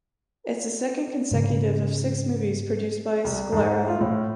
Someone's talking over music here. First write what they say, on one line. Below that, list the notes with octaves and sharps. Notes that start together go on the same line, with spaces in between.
It’s the second consecutive of six movies produced by “Scalera”.
G#2 C#3
C2
G#2
F4
A2